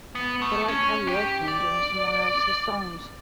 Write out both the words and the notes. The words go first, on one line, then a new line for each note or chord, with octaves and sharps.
They like karaoke and doing someone else's songs.
B3
A3
C#4
G4
D5